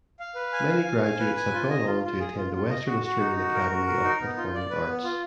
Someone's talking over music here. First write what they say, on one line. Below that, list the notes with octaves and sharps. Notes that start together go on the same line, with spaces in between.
Many graduates have gone on to attend the Western Australian Academy of Performing Arts.
F5
B4
G#5
F5
F5
G#5
B4
G#5
F4
D#5
F4
F4
G#4
F4
F4
D#5
F#4
F#4
D#4
F#4
A#4
F#4
A#4
D#4
B3
F4
D5
B4
B3
F4